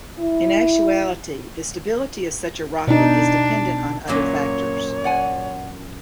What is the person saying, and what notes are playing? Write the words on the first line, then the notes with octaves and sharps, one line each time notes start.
In actuality, the stability of such a rocket is dependent on other factors.
E4
B2 D4 D#4
F#2 A#2 A#3 C#5
D5 F#5 G#5